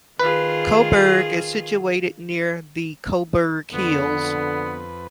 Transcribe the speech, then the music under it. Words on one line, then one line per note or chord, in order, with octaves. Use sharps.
Coburg is situated near the Coburg Hills.
D#3 F4 G#4 B4
F2 D3 B3 B4